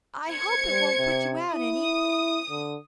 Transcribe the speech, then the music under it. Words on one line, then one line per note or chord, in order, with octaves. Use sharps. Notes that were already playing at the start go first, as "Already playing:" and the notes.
"I hope it won't put you out any."
C5 G#6 C#7
G3
C3
E4 D#6
D3